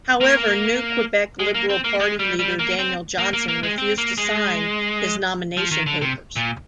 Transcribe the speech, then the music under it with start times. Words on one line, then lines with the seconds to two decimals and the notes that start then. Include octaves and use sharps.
However, new Quebec Liberal Party leader Daniel Johnson refused to sign his nomination papers.
0.21 A#3
1.39 G#3
1.54 A#3
1.70 C4
1.84 A#3
2.00 G#3
2.19 G3
2.39 G3
2.59 A#3
2.79 C4
3.18 A#3
3.33 A#3
3.48 A#3
3.63 G#3
3.78 C4
3.98 A#3
4.18 G#3
5.57 F3
5.71 D#3
5.86 D3
6.01 C3
6.36 A#2